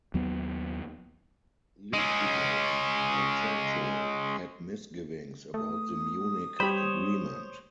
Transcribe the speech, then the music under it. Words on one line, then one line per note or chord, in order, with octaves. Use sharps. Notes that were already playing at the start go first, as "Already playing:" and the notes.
Litvinov, like Churchill, had misgivings about the Munich Agreement.
D#2 F#3 B3
G#3 C#4
A3 D#6
G3 G4 C5 C#5 B5